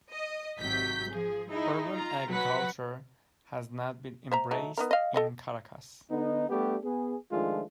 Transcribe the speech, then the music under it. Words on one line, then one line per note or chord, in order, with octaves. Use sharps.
Urban agriculture has not been embraced in Caracas.
D#5
G#1 C3 F#3 G6 B6
F3 G#4
D#4 E4 G#4
F4 A#5
F#3 B4 F#5 B6
C5 E5 A#5
F#3 A3 D#4
B3 D#4 A#4
D#5 F5
A4 D#5 G5
D3 B3 D#4
G3 A3 B3 D4 G4
B3 G#4
D#3 F3 G#3 A3 D4 F4